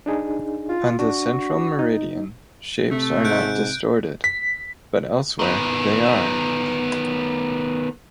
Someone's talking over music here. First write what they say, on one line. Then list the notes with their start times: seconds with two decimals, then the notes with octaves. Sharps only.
On the central meridian, shapes are not distorted, but elsewhere they are.
0.06 D4 D#4 G#4
0.69 F4
0.99 D4 F#4
1.79 D#4
2.91 C3 A3
3.25 G#2 F#6 G6 D7
4.24 B6
5.39 D#3 B3